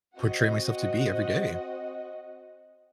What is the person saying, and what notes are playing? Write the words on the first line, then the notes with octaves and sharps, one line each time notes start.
portray myself to be every day.
C4 F#4 D#5 F#5